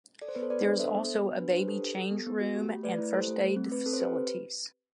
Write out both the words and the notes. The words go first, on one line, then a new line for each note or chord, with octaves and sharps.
There is also a baby change room and first aid facilities.
A4 D5
C5
B3 B4
A4 C5
B3 B4 D5
D4
A4 C5 E5
B3
B3
F#4
D4 B4
D4 C5
B4
G4 A4
G4
A4
B3
B3
F#4
G4
A3
A3 B4 D5
E4
G4 A4 C5
A3
A3
C4
C4 B4
C4 A4
C5
G4 B4